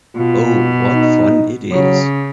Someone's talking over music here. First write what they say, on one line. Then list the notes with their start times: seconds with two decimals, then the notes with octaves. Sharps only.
Oh, what fun it is!
0.16 B2 F4
0.94 D#4
1.71 C#3 F#3